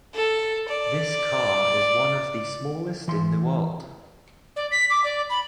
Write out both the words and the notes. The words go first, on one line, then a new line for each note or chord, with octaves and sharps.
This car is one of the smallest in the world.
A4
D5
E3 C6
D5
B6
D6
D5
B5